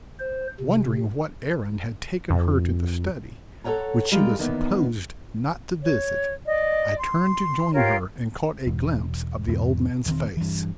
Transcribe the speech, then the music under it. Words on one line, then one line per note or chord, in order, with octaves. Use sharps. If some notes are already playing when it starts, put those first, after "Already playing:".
Wondering what errand had taken her to the study, which she was supposed not to visit, I turned to join her and caught a glimpse of the old man's face.
C5
C3
F2
A4 A#4 C#5 F#5 A#5
G3 G#3 F4 G4 A#4
E2 D#3 A#3 B3
C#5
D5 D#5
C6
F4 G4 A#4 C#5
E1
E2 G#2 B2 E3
E1 D#3 C4
G2 E3